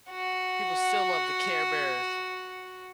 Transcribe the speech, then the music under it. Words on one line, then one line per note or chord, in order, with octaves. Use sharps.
People still love the Care Bears.
F#4 F#5